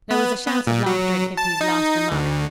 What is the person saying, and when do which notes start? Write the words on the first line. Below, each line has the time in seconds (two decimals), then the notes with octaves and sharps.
There was a shout of laughter at Hippy's last remark.
0.11 B3
0.46 B3
0.67 A#2
0.86 F#3
1.37 A5
1.61 D#4
2.11 D2